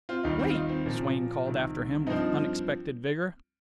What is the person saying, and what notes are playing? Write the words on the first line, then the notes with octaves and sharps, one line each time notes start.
"Wait!" Swain called after him, with unexpected vigour.
C4 F4
D#2 D#3 G3 D#4
C4
F4
D#4
C4
A#2 F3 A#3
C2 C3 D#3
G2 F3 C4 D#4